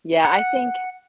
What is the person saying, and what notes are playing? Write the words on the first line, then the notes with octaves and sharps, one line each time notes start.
Yeah, I think,
F#5